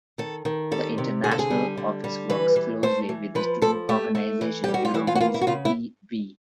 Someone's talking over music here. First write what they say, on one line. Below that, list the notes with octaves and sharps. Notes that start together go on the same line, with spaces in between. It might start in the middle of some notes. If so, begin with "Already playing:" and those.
The international office works closely with the student organization Eurobiz e.V.
D#3 A4
D#3
G3 A4
C3
D3 G#4
A4
G#4
G3
D3
G3
E3 B4
E3
A3 C5
E3
F3 B4
F3 A4
A3 G4
A3
E3
G3 G4
F#4
F4
E3 E4
F4
F#4
A#3 F4
E4
F#4
C#3 F4
E4